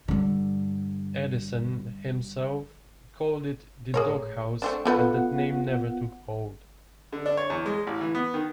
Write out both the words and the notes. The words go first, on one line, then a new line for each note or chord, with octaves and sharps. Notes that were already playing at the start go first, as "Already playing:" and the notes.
Edison himself called it "The Doghouse", but that name never took hold.
G2 D3
A2 G#4 A#4 C#5
A3 C4 D4
D3 A3 B3 F4 B4 F#5
D3
D4
C#5
E2
G#3
A1
E3
B3
D#3